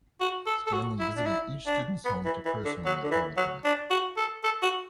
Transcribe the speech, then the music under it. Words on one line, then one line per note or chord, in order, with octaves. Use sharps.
Stanley visited each student's home to personally apologize.
F#4
A4
A4
F#4
E4
D4
E4
D4
B3
E3
E3
D3
F#3
D3
E3
F#3
D4
F#4
A4
A4
F#4